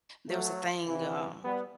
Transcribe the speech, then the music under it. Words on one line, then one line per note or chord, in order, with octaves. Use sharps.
there was a thing, um,
F#3 A3
E2 C3 E3
G3 B3